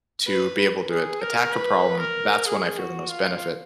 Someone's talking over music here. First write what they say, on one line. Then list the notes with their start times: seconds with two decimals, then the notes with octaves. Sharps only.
to be able to a attack a problem, that's when I feel the most benefit.
0.28 B4
0.90 G#4
1.21 A#4
1.53 B4
2.00 A#4
2.46 G#4
2.78 F#4
3.09 F4